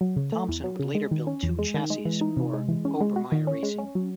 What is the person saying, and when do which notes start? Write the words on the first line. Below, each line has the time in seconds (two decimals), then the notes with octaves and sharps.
Thompson would later build two chassis for Obermaier Racing.
0.01 F#3
0.16 C#3
0.32 A3
0.48 E2
0.64 F#3
0.79 C#3
0.95 G#3
1.11 D#3
1.27 C#4
1.43 E2
1.59 G#3
1.74 D#3
1.90 G#3
2.05 E3
2.21 D#4
2.37 C3
2.53 G#3
2.68 E3
2.85 C#4
3.01 G#3
3.16 F#4
3.32 D#3
3.47 C#4
3.63 G#3
3.78 C#4
3.95 F#3